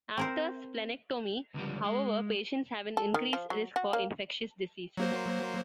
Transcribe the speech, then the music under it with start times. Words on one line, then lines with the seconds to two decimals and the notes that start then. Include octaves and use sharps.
After splenectomy, however, patients have an increased risk for infectious diseases.
0.17 C4 A#4 C5
1.54 C#2 D3 F3 G3
1.84 G#3
2.97 A4
3.14 D#3
3.33 F3
3.50 F#3
3.76 F#4
3.93 A#3
4.97 F#3 A#3 C5